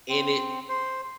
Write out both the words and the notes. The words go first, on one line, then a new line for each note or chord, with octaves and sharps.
in it
C4
C5